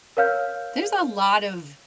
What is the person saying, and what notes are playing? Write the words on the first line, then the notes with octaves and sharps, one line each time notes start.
There's a lot of
A#4 C#5 F5 F6 G6